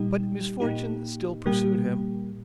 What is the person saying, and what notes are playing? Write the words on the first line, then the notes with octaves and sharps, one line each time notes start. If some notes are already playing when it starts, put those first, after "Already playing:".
But misfortune still pursued him.
Already playing: A#2 G3 D#4 G4
A#2 A#3 D#4 G4
A#2 G3 A#3 G4